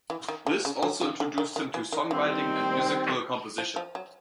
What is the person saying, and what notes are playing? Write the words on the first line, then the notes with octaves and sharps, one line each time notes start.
This also introduced him to songwriting and musical composition.
E3
D#3
D3
C#3
D3
C#3
D3
D#3
D#3
E3
D#3
D#3 E3 G3 C4 D#4
F3
F3
F#3